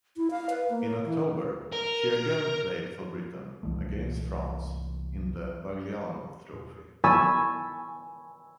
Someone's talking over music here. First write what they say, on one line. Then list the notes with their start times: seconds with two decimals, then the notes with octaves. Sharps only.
In October she again played for Britain against France in the Vagliano Trophy.
0.17 E4
0.31 F5
0.50 B4
0.70 A#3
1.05 E3
1.73 A#4
3.63 C2 E3 A3
7.04 G#5 A5 B5 C#6 E6 G#6